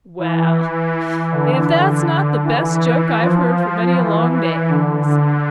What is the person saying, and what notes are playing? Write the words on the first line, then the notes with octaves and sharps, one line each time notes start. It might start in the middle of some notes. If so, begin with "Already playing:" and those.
"Well, if that's not the best joke I've heard for many a long day," he said.
E3
D3
E3
F3
F3
E3
D3